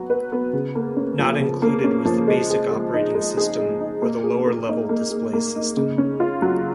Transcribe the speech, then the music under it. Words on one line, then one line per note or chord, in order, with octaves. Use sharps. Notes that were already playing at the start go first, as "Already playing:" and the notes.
Not included was the basic operating system, or the lower-level display system.
Already playing: F#3 B3 F#4
B4
B3
C#3
A#3
C#4
F3
C#3
A#3
C#4
F3
G#3
G#4
G#3
D#4
G#3
G#4
G#3
D#4
A#3
G#4
A#3
D#4
A#3
G#4
A#3
D#4
C#3
C#4
F4
F#3